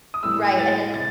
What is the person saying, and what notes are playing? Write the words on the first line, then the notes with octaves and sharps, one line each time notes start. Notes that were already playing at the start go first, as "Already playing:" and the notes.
Right, and then s
D#6
A2 E3 G3 E6
A6
C3 A6